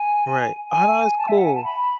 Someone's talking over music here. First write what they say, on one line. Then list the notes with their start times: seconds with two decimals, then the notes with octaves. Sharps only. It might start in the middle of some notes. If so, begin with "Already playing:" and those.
Right, ah, that's cool.
Already playing: G#5
0.71 G#5
1.18 A5
1.28 E5
1.38 F#5
1.46 G#5
1.55 A5
1.64 B5